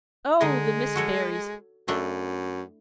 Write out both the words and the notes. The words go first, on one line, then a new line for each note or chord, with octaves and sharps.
Oh, the Miss Berrys!
D3 G#3 D#4 D#5
F#4 A4 C#5
F#2 A3 D4 E4